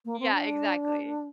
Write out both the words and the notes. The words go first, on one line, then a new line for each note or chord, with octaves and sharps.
Yeah, exactly.
A#3
C4
D4